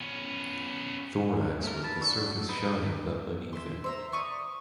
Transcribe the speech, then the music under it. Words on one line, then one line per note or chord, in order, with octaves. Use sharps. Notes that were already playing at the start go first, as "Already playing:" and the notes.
Thorax with the surface shining but uneven.
B3 C#4
A3 A#4
B4 A5
D4 F#4 C#6 E6
D#4 B4
E5 C6
C5 E5 A#5
D5 C#6 D#6